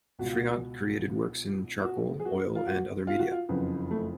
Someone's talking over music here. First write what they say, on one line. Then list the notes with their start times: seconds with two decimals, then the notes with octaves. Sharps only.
Friant created works in charcoal, oil, and other media.
0.19 C#2 B2 F#4
0.26 F4
0.33 F#4
1.84 F#4
2.20 G#4
2.25 F#4
2.55 F4
2.67 F#4
3.07 F4
3.19 F#4
3.32 F4
3.49 F#1 F2 C#3 F3 B3
3.91 A3